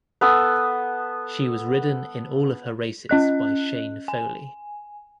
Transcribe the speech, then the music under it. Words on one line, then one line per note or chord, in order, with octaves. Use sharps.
She was ridden in all of her races by Shane Foley.
B3 A4 D#6
C#4 D#5 F#6
G#5